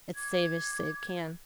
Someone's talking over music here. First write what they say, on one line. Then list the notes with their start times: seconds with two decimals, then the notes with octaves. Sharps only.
It's save as save can.
0.15 D6 G#6